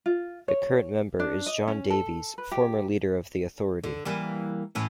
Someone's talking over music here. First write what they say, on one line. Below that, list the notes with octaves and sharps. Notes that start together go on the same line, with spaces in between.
The current member is John Davies, former leader of the authority.
F4
C#5
D4
D#5
C#4
A4
B4
G4
D3
E3 G3 A#3
A2 E3 C#4